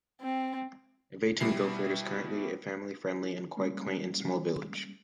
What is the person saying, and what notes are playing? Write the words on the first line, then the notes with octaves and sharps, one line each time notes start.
Aveton Gifford is currently a family friendly and quite quaint and small village.
C4
B2 G3 E4 C7
G3 G#3 A#3 C#4